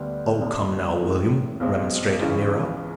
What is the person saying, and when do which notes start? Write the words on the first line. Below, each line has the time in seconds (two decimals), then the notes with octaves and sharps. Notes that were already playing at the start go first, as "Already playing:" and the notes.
"Oh, come now, William," remonstrated Nero.
Already playing: D2 D3 G3 B3
0.41 F#1 F#2 D3
1.01 A2 E3 G#3
1.60 B1 B2 G#3 C4
2.19 C#2 C#3 E3 G#3 C#4